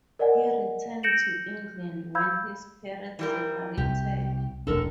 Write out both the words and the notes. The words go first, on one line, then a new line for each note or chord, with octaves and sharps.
He returned to England when his parents separated.
A#4 D5 D#5 F#5 G#5
G6 A#6 C#7 D7 E7 F#7
F5 B5 E6 G6 G#6
E3 G3 A#4
C2 G4
E1 A1 D4 A4 A#4